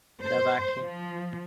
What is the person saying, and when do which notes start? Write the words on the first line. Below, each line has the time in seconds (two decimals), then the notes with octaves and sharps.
De Vecchi.
0.23 C5
0.82 F3